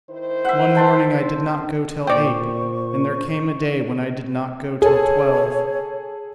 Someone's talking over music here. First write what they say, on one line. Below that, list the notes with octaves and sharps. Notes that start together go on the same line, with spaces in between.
One morning I did not go till eight, and there came a day when I did not go till twelve.
D#3 E4 C5
E5 F#5
G5 A5 C6
A#2 C5 D5 G5 C#6
G#4 A4 C#5